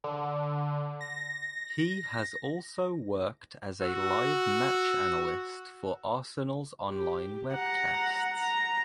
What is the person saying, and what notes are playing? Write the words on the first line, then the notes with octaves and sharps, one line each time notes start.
He has also worked as a live match analyst for Arsenal's online webcasts.
D3
A#6
F#4 E6
G4
F#5 A#5
A#5